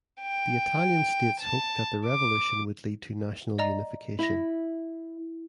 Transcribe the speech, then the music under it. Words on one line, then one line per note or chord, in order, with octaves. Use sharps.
The Italian states hoped that the revolution would lead to national unification.
G5
A5
D6
D5 D#5 A#5
E4 B5 A#6